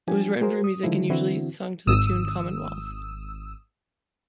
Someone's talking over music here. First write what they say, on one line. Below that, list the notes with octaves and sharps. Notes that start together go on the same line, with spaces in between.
It was written for music and usually sung to the tune "Commonwealth".
F3 D4 G4 G#5
G#3 F#4 G#4 A#4 C5
D#6
D3 D#3 F3 G#3 E4
D3 E3 C4 E4 F#4
G#1 D#6 E6